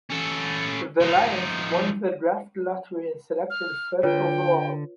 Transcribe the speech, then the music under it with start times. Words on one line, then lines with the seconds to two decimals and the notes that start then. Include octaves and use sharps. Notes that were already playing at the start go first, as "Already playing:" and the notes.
The Lions won the draft lottery and selected first overall.
0.10 C#4 A4
1.01 F3 D#4
3.50 F6
4.03 D3 F4 B4 C#5 G5